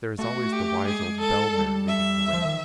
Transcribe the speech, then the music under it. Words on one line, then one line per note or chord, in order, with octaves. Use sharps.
There is always the wise old bell-mare leading the way.
A3 F#4
G4
G#3 G#4
A4
G3
E5
F3
D#3